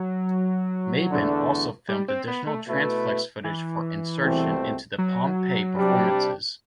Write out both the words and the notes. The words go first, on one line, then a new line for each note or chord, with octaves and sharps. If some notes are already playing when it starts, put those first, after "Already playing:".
Maben also filmed additional transflex footage for insertion into the Pompeii performances.
Already playing: F#3
E2 D3 A3 D4
G3
C4
B3
A3
B2 A3 E4 B4
E3
C2 B2 A3 C4
F#3
C3 G3 D4 G4